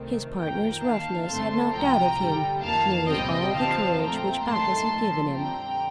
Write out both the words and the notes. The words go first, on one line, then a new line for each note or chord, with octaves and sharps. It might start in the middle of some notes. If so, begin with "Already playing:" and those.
His partner's roughness had knocked out of him nearly all the courage which Bacchus had given him.
Already playing: C2 C3 D#3 A3 C4
F2 D#3 A#3 G5 A#5
D#2 D#3 A#3 F5 A5
G2 D3 A3 C4 A5 C6
C2 C3 F3 G5 A#5
G2 D3 G3
F2 D#3 A#3 F5 A5
C2 A#2 G3 C4 D#5 G5
F2 D3 F3 C4 F5 A5
A#2 A3 C4 G5 A#5
G2 D#3 A3 A5 C6
A#2 F3 A3
F2 D3 G3 C4 G5 A#5